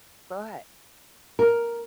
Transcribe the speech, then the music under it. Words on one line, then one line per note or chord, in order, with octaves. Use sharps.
Go ahead.
A#4